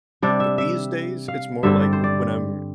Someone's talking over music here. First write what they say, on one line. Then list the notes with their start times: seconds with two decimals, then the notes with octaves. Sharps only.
But these days it's more like w when I'm
0.22 C3 G3 D4 D5
0.40 E5
0.58 E5
1.28 F5
1.63 G2 D3 G3 C4 E5
1.81 D5
1.93 C5
2.04 D5